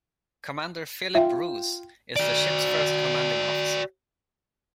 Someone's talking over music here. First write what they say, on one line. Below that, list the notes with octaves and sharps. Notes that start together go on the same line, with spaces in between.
Commander Philip Roos is the ship's first commanding officer.
F4 E5 G5
F#4 D5